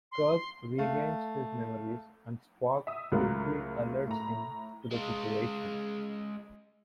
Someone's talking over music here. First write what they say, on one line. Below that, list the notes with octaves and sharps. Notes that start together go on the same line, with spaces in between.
Kirk regains his memories and Spock quickly alerts him to the situation.
C6
A3 F5
E5 D#6
C#2 A2 F#3 F4 A#4 F#6
A2 A#5
G#3 F4